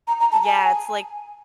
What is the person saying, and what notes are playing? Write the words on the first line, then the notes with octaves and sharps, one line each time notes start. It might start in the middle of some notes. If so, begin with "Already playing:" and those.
Yeah, it's, like,
A#5
A#5
A5
G#5